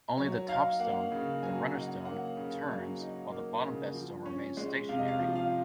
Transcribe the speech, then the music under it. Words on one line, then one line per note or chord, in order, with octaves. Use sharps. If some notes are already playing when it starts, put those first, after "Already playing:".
Only the top stone, the runner stone, turns, while the bottom bedstone remains stationary.
F#3 C#5
D#4 F5
A#3 F#5
C#3
F#3 G#5
D#4 F#5
A#3 F#5
C#3
F#3
D#4
A#3
C#3
F3
C#4
G#3
C3 F5
D#5
F5
F3
F5